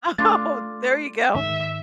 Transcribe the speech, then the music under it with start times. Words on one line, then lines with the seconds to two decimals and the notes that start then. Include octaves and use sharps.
Oh, there you go.
0.18 A3 D4 F4 C6 D6 A6
1.35 G#2 D#3 E5